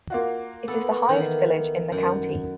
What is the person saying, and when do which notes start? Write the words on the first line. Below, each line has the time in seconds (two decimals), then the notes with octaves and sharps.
It is the highest village in the county.
0.10 A#3 F4 F#4
0.68 B3 A4
1.09 D#3 E3
1.92 F#2